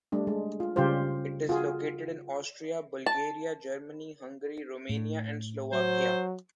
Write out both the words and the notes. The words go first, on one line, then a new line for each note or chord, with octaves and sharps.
It is located in Austria, Bulgaria, Germany, Hungary, Romania and Slovakia.
G3 A3 D4
G#3
F4
C#3 G3 F4 G4 C5
F4 F#4 G#4
A5
A2
F#3 C5